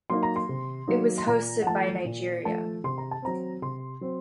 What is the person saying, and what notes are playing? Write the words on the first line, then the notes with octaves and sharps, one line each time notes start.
It was hosted by Nigeria.
F#3 A#3 D#4 C6
A#5
C6
C3
F#3 A#3 D#4
C6
A#2 A#5
F#5
F3 A3 A5
A#2
F3 A3 A5
C3 C6
A#5
A5
F#3 C4 A#5
C3 C6
F#3 C4